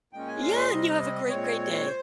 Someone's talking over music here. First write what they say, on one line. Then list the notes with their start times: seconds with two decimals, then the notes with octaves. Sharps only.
Yeah, and you have a great great day.
0.13 A#2 G#3 C#4 G5
0.28 G#5
0.42 C6
0.56 C6
0.71 C3 G3 C4 D#5
1.29 A#2 G#3 C4 C#5
1.87 C5